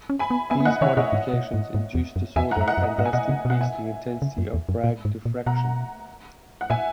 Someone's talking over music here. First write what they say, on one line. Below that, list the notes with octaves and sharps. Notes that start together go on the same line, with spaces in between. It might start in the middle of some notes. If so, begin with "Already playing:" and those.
These modifications induce disorder and thus decrease the intensity of Bragg diffraction.
C#4
G#5 B5
B3
B3 E5 G#5
B3
A#3 D#5 F#5
D#3 C#5 E5
B2 D#5 F#5
G#2
B2
G#2
G#2
E2
F#2
E2 E5 G#5
F#5 A#5
F#2
E5
D#5 F#5
F#2
D#5 F#5
G#2 F#5
G#5
B2 D#5 F#5
C#3
B2
F#5
E5 G#5
C#3
F#2
E2
F#2
A#2
G#2
A#2
B2 F#5 A#5
F#5
A#2 E5 G#5